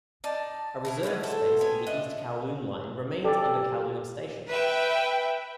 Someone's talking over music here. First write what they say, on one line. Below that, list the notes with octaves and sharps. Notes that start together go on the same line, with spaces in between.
A reserved space for the East Kowloon Line remains under Kowloon Station.
D#4 D5 A5
B2 E4 G#4
A2 G3 A#3 B3
E4 F#4 A4 C5
B3 G5 G#5
A2 A3 D4 D#5
G4 A4 D5
B4 E5 G5